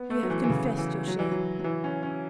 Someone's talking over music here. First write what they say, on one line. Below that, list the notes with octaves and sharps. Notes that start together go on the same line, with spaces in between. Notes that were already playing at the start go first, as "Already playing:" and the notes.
You have confessed your shame.
Already playing: B3
A3
F#3
E3
E3
C#3
E3
F#3
E3
F#3
F#3
E3
C#4
C#4